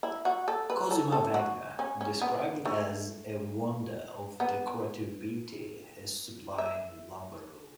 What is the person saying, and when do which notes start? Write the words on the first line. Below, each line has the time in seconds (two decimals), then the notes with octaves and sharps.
Cosima Wagner described it as a "wonder of decorative beauty, a sublime lumber-room".
0.03 E4
0.25 F#4
0.48 A4
0.70 B4
0.91 A4
1.12 A4
1.34 F#4
1.79 C#4
2.01 C#4
2.21 B3
2.65 A3
4.40 B3
6.58 E5